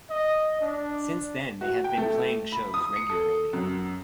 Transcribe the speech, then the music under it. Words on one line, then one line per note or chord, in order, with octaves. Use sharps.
Since then they have been playing shows regularly.
D#5
D4
F#4
G5
A3
B5
D#6
C#7
A4
F#2